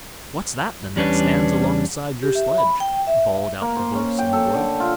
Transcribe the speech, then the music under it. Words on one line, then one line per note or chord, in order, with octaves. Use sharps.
'What's that then, that stands alongside your sledge?' bawled out the voice in the wood.
E2 G3 C#4 D4 B4
G4
E5
B5
G5
E5
A#3
C5
C#4
G5
A4
D3
F4